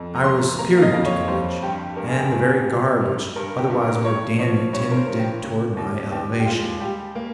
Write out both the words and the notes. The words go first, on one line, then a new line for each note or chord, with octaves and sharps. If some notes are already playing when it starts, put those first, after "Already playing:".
I was superior to convention, and the very garb which otherwise would have damned me tended toward my elevation.
Already playing: F2
A#5
G3 C6
A#3 A#5
F5
D#5
F2
C#5
G3 C5
G2 G4
G2 A#4
G#4
G4
G2 G#4
G3
G3
G2 A#4
G4
G2
A#4
G2 C#5
F3 C#5
G2 C#5
A#4
C5
G2
G4
C#3
D#2
D#2 G4
G4
G#3 F4
G3 G4
A#3